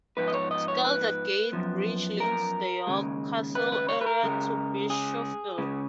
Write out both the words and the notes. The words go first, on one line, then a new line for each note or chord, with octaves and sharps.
Skeldergate Bridge links the York Castle area to Bishophill.
G#2 F3 B3 D#4 B4
D#5
C#5
D#5
C#5
B4
F#2 F3 B3
A#4
D#2 C#3 G#3
B4
B4
C#5
B4
A#4
C#2 C#3 G#3
G#4
C#2 C#3 G#3